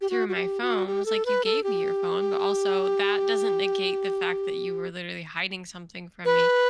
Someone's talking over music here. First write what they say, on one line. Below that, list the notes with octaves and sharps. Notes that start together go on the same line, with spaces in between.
through my phone." I was, like, "You gave me your phone, but also that doesn't negate the fact that you were literally hiding something from me."
G4
F#4
F#4
G4
F#4
G4
A4
B4
A4
G4
B4